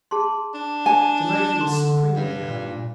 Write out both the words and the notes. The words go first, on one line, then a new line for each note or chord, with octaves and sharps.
To-night he was supremely happy.
G#4 A5 C6
D4
G#5
D3 C6
G2
A#2